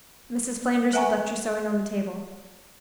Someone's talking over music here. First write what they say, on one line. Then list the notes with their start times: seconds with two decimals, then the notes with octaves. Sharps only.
Mrs. Flanders had left her sewing on the table.
0.93 B4 E5 F#5 G#5 A#5 C#6